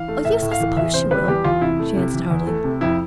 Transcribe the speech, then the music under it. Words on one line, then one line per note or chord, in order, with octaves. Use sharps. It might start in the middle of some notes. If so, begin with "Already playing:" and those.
"Oh, yes, I suppose she will," she answered hurriedly.
Already playing: E3 F5
A3
A2 E5
A2
F5
E3
E2 E5
C3 C5
G3 B4
E2 G4
E2 F4
C3 E4
A3
C3
E3
E2
A3
C3
F2 E4